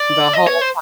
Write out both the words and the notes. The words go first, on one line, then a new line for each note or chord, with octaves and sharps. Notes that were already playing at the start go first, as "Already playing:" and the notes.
The whole
Already playing: D5
D#5
C#5
C5